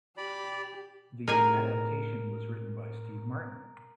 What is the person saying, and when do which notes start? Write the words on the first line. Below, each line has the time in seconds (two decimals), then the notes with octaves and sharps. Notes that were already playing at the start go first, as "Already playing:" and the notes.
The adaptation was written by Steve Martin.
0.17 G4 D5 B5
1.28 A2 D#4 G#4 A#4 G#5 A#5 F6